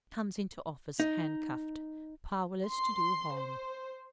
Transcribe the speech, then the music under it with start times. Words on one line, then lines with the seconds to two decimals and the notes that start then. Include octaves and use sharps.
It comes into office handcuffed, powerless to do harm.
1.00 D#4
2.68 C6
3.36 C5